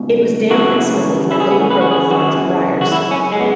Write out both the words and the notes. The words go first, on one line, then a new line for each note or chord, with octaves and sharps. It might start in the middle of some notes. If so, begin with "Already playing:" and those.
It was damp and smelly, and over-grown with thorns and briars.
Already playing: C#2 B2
F#2 C#3 E3 F#4
E4
G#4
B3
C#4
B4
F#4
G#4
F#2 C#3 E3 F#4
F#4
E4
C#4
G#3
B3